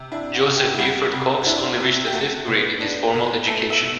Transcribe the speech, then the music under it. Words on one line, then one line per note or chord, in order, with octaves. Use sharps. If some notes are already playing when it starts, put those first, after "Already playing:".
Joseph Buford Cox only reached the fifth grade in his formal education.
Already playing: C3
D4 E4
F#4
C3
G4
E4
G3 F#4
C3
F#4
D4 E4
C3
G4
A3 F#4
B2
D4
B2
A3 A4
E5
B2